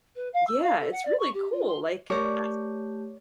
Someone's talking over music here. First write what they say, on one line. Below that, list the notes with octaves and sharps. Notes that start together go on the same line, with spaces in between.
yeah, it's really cool, like, I
B4
F5
E6
F5
A4
F#5
D5
C#6
G4
F4
C6
A3 G4 A#4 C#5 D5